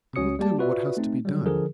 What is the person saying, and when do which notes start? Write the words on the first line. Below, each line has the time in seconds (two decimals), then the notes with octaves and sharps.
"I will do what has to be done."
0.16 C#2 C#4 F#4 C#5 D#6 C#7
0.39 G3 A#3 G4 D5 A5
0.58 F4 F#4 B4 D5 E5
0.97 A3 C4 D#4
1.25 D3 F#3 G3
1.46 D3 F3 G#4 A#4